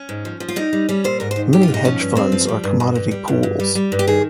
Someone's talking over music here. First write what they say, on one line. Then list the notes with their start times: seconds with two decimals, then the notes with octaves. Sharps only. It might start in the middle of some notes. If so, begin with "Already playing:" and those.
Many hedge funds are commodity pools.
Already playing: C#4
0.09 G#2
0.25 F3
0.40 F3
0.48 F4
0.56 G3 D#4
0.73 G3
0.89 G3 C#4
1.04 A#2 C5
1.20 G#2 A#4
1.31 C5
1.36 D#3
1.53 G#2 G4
1.63 F4
1.68 G#2
1.74 D#4
1.85 F3 C#4
2.00 G2
2.15 G2 C4
2.32 F3
2.48 G3
2.64 G2
2.80 G2
2.95 G2
3.11 G3
3.28 G2
3.43 G2
3.60 G3
3.75 G3
3.92 G2
3.99 G4
4.07 D#3 G#4